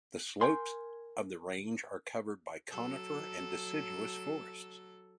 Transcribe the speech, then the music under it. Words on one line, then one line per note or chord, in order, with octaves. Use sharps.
The slopes of the range are covered by conifer and deciduous forests.
A#4 G5 G#5 C6
F#3 A4